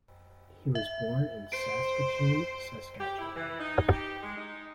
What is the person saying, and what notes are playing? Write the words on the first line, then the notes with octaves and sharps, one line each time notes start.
He was born in Saskatoon, Saskatchewan.
E5
C5 C7 D7
G4
E4
E3
D#4
G4
G#3
D#4